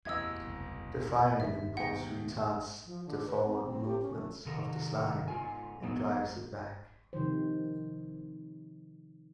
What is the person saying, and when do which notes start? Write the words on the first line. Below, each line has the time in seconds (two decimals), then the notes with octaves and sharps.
The firing impulse retards the forward movement of the slide and drives it back.
0.05 E1 A1 F#2 C3 D#5 E6 G#6
0.41 F#1 C2
1.40 D#2 G#2 C3 E5
1.77 B2 F#5 G5 A#6
2.86 F3
3.06 D3
3.26 B4
3.45 C4
3.64 C4
3.85 G4
4.02 C#4
4.14 A3
4.46 C3 D#3 A4 A#4
5.28 G#2 F4 G#5
5.83 F3 F#3 A3 B3 D#4
7.13 C3 D#3 F3 C5